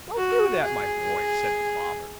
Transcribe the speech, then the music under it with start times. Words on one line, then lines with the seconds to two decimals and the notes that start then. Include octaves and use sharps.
"Don't do that, my boy," said the father.
0.18 F#4
0.64 G#4